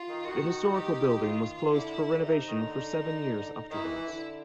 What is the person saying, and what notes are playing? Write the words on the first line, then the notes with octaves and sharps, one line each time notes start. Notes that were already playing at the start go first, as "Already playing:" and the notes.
The historical building was closed for renovation for seven years afterwards.
Already playing: F4
D#3
D#3 F#4
G4
F4
D3 E4
C3 D#4
D#3
D3
D#3 E4
E3
E3
D3